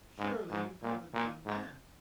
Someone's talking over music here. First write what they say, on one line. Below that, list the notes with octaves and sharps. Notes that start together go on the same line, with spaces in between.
"Surely you haven't done that?"
G#2
G#2
A#2
A#2
G#2